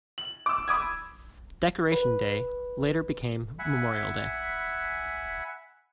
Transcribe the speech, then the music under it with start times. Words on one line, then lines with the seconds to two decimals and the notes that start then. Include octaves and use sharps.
Decoration Day later became Memorial Day.
0.18 F#7
0.46 D6 E6
0.68 B5 D6 D#6 G#6
1.92 B4
3.59 E5 F#5 G#5 B5